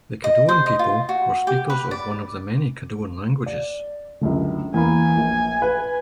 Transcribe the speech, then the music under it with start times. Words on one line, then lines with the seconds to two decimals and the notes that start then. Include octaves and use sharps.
The Caddoan people were speakers of one of the many Caddoan languages.
0.24 D#5
0.49 C5
0.66 D#5
0.79 F4
1.09 F#4
1.47 G4
1.70 B4
1.91 D5
3.46 D5
4.21 C#2 F#2 D3
4.74 E2 A#3 G#5 B5
5.16 A#1
5.62 B4